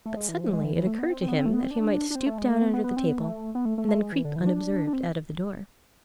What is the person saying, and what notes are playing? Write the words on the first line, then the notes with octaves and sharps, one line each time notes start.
But suddenly it occurred to him that he might stoop down under the table, and then creep unobserved out of the door.
A3
G#3
E3
F3
G#3
E3
E3
A3
B3
C4
C4
B3
C4
A3
B3
C4
D4
D4
C4
A3
G#3
A3
B3
B3
B3
C4
B3
A3
B3
A3
A3
A3
G#3
E3
D3
E3
D4
D4
C4